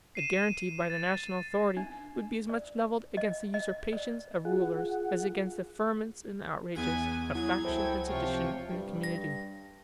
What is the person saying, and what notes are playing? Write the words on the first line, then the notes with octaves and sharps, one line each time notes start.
A guaranty by the national authority would be as much levelled against the usurpations of rulers as against the ferments and outrages of faction and sedition in the community.
C7 D#7 E7
A6
D4
D5
D#5
D#5
D5
F4 G#4 F#5
E2 B3 G#4 G#5 D7
F#3 E4 G#4 G#6
C#2 E4 A4 C5 G5
C3 F3 F4 C#5 G5
G2
A#6